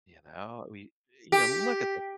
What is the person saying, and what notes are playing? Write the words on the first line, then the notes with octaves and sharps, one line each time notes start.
You know? We, eh, yeah, look at the
G4